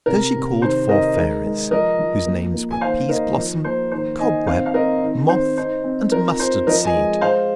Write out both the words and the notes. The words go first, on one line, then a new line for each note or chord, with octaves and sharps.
So she called four fairies, whose names were Peaseblossom, Cobweb, Moth, and Mustardseed.
C3 A#4
C3
D#3 C5
D#3 A#4 D#5
G#3 A#4
G#3
F3 A#4 D#5
F3
A#3
A#3
G#5
D#3 C5 F5
D#4 A#4 D#5
F3
A#3 C5
D#3 C5
D#3 D#5 G#5
C4 C5 F5
F5
C4 A#4 D#5
D#3
D#3 C5
D#4 C5
C4
F4 A#4
F4 C5
F3 A#4 D#5
D#5 G#5
G#3
G#3 C5 F5